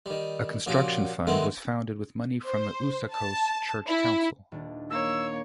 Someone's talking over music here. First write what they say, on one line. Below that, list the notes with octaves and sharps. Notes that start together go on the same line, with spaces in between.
A construction fund was founded with money from the Usakos church council.
D#3 G3
A#2 F3 C#4 F#4 G4
D#3 F#3 G#3 A3 B3 C4
C5
A5
E4
D#1 D4
A#3 C#5 E6